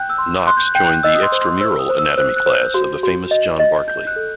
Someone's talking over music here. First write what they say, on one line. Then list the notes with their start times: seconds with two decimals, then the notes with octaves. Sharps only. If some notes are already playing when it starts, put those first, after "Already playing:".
Knox joined the "extramural" Anatomy class of the famous John Barclay.
Already playing: G5 F#6 G6
0.10 E6
0.18 C6
0.47 C6 F#6
0.57 G6
0.66 F#6
0.75 G5 G6
0.86 F#6
1.03 D#5 E6
1.15 D#6
1.23 C6
1.32 C5
1.41 C6
1.61 C5 E6
1.79 D#6
1.89 C5
1.99 E6
2.17 C5 F#6
2.36 F#6
2.46 C5
2.55 G6
2.74 F#4
3.03 F#4
3.31 D#5
3.59 D#5
3.87 D#4 G6
4.07 F#6
4.16 A4